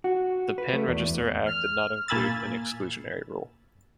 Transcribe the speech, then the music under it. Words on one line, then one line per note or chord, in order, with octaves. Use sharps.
The Pen Register Act did not include an exclusionary rule.
F#4
B4
A3
E2
F6
A#2 A#3 G#5 B5 E6 A6